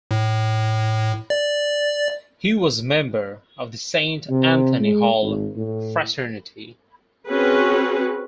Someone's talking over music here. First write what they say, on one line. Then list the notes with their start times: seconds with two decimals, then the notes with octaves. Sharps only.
He was a member of the Saint Anthony Hall fraternity.
0.11 A2
1.30 D5
4.30 C3
4.80 G#3
5.22 G#1
5.57 A2
7.28 C4 C#4 F#4 G#4 B4